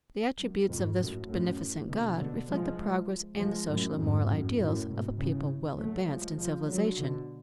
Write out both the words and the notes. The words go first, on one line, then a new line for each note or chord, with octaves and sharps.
The attributes of this beneficent god reflect the progress, and the social and moral ideals of a people well advanced in civilization.
F#2
F2 G#2
F#2 A2
F#2 A2
B2 D3
B2 D3
F3 G#3
F3 G#3
F#2 A2
F2 G#2
F#2 A2
F#2 A2
G#2 B2
A2 C#3
F#3 A3
F3 G#3
F3 G#3
D3 F#3
B2 D3